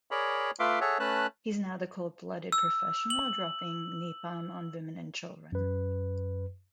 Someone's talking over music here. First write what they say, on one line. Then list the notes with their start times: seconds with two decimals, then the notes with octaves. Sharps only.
He's now the cold-blooded professional dropping napalm on women and children.
0.11 G#4 A#4 C#5 D5 B5
0.60 A3 F4 B4 E5 C6 D6
0.81 G#4 A4 C#5 E5 F#5
1.00 A3 C#4 B4 A5 F#6
2.52 E6
3.10 F#7
5.52 F#2 B4